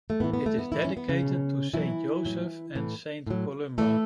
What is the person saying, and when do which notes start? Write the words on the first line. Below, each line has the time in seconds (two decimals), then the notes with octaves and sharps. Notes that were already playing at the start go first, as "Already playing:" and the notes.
It is dedicated to Saint Joseph and Saint Columba.
0.10 A3
0.20 A2 E3 B3
0.33 B3
0.46 A3
0.59 B3
0.72 A2 E3 E4
0.84 C#4
0.97 B3
1.09 C#3 C#4
1.22 B2 F#3
1.73 B2 E3 F#3 E4
2.25 A2 F#3
2.75 A2 E3
3.26 A2 F#3
3.78 A2 E3 A3 A4